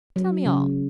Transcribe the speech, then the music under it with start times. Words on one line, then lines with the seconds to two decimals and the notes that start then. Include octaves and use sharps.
Tell me all.'
0.16 F#3
0.46 C#3